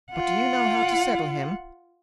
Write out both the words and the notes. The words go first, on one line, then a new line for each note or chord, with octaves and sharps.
'But do you know how to settle him?
F4 F#5